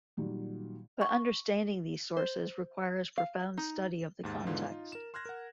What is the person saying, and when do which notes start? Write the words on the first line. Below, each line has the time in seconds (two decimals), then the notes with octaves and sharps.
But understanding these sources requires profound study of the context.
0.17 A#2 D#3 F#3 G3
1.01 C#6
2.17 C5
3.18 F5
3.58 D#4
4.23 D#2 G#2 A6
4.47 G#2 D3 E3 G#3 B3 F4
4.71 D#4 F4
4.92 A#4 E7
5.14 C6 F6 F#6 G#6 A#6
5.25 A#4 F#5